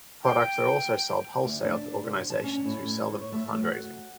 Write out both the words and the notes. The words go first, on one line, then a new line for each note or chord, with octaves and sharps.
Products are also sold wholesale to organizations who sell them for fundraising.
G5
D2
D4
C3
A5
C#4
A2
C#5
A3
F#4